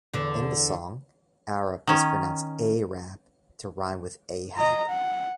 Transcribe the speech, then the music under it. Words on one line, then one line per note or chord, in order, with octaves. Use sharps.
In the song, Arab is pronounced "Ay-rab" to rhyme with Ahab.
E2 D3
D#3 C#4
D#5 A#5
F#5